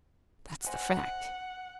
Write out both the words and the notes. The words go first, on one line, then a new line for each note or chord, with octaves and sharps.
That's the fact.
C5 D#5 F#5 G#5